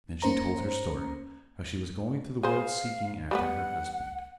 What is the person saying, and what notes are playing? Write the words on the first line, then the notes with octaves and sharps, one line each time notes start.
Then she told her story--how she was going through the world seeking after her husband.
A#3 C#4 C5 A#5
G#4 C5 F5
G3 A#3 B3 F#5